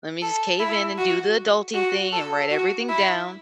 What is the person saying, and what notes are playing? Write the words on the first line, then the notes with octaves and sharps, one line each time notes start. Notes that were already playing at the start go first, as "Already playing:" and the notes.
Let me just cave in and do the adulting thing and write everything down,
A4
E4
F#4
F#4
A4
F#4
E4